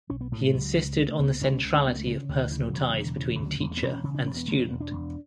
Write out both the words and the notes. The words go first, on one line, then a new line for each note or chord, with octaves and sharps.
He insisted on the centrality of personal ties between teacher and student.
B1 C#4
B3
A2 A3
G#3
C#2 F#3
C#2
C#3 G#3
A3
C#2 B3
B3
C#2 C#4
C#4
C#2
C#4
C#2 B3
A3
C#3 G#3
D3
D2 D3
D3
C#3 E3
F#3
E1
E1
D3
C#3 E3
E3
D2
F#3
E1 G#3
G#3
B3
E1 C#4
C#4
C#3 C#4
D4
E1 C#4
B3
E1 A3
C#4
E1 B3
D4
E1